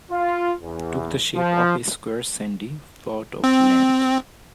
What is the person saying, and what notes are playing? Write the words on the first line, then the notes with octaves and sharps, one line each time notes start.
Took the shape of a square sandy plot of land.
F4
E2
F3
C4